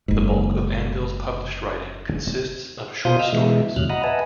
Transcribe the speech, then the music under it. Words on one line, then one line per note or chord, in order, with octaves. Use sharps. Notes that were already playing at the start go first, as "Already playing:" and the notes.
The bulk of Anvil's published writing consists of short stories.
F#1 G#2
B2 F4 C5 F5 D#6 G6
D#5 E6 F6
B2 E3 G#3 E5
D#2 A2 C3 F#3 F6 F#6
D#5 F#5 A#5 B5 D#6
B4 D#5 E5 F#5 G#5 A5